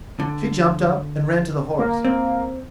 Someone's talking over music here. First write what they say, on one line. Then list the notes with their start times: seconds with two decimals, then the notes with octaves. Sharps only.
She jumped up and ran to the horse.
0.20 D3
1.79 A#3
2.05 C4